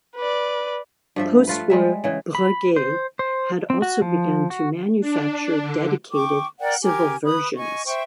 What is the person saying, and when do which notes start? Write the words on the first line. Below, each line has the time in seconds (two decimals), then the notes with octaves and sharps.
Postwar, Breguet had also begun to manufacture dedicated civil versions.
0.16 B4 D5
1.16 G2 F3 E5
1.47 A3 F4 B4
1.70 G3 G#3 E5
2.04 C#3 E3
2.35 B5
2.76 C5
3.19 C5
3.70 C4
3.82 F#4
4.02 F3
4.50 F#4
5.01 D4
5.62 D3
6.12 G5 C#6 D6
6.60 A#4 D5 F#5 G5
6.83 G4 A#4 G#5
7.24 B4 B5 D#6
7.56 D#5 G#5 C#6
7.86 C5 E5 G5 C#6